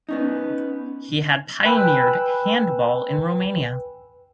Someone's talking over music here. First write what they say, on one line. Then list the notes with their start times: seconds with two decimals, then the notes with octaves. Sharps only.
He had pioneered handball in Romania.
0.09 B3 C#4 D#4
1.66 B4 G5 G#5 B5 E6 F#6